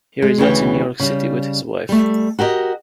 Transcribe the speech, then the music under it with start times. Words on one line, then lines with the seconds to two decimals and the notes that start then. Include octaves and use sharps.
He resides in New York City with his wife.
0.22 G#3
0.38 D2 C#3 E3 G5
1.00 C#3 G3
1.89 G3 A3
2.39 F#4 G4 A#4 D#5